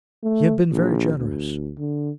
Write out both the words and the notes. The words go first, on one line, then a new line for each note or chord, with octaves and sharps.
He had been very generous.
A3
A#1
D2
D3